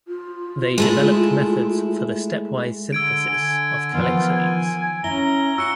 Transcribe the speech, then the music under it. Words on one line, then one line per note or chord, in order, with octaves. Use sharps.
They developed methods for the stepwise synthesis of calixarenes.
F4
G#3 A3 E4
D3 E6 G#6 D7
D3 G#5
D#3 F3 B3 F4
G#5
C#4 E4 A#5 G7
F4 F#4 E6 C#7 G7